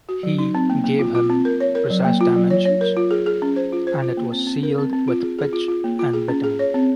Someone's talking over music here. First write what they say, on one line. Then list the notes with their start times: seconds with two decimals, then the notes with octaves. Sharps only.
He gave him precise dimensions, and it was sealed with pitch and bitumen.
0.09 F#4
0.23 F#3
0.39 D#4
0.55 C4
0.70 A#3
0.84 A#3
0.99 F4
1.15 F4
1.30 C4
1.45 A#4
1.60 C#5
1.75 A#4
1.90 F#3
2.05 A#3
2.21 F4
2.36 F#3
2.50 C#5
2.65 C#5
2.81 A#4
2.97 F4
3.11 G#4
3.26 G#4
3.42 C#4
3.56 C5
3.72 F4
3.87 C5
4.02 F4
4.17 A#3
4.32 C4
4.47 C4
4.63 A#4
4.78 C4
4.93 C4
5.08 F4
5.23 G#4
5.39 G#4
5.53 F4
5.68 F4
5.84 A#3
5.99 F4
6.13 G#4
6.29 C#4
6.44 G#4
6.59 C#5
6.74 C4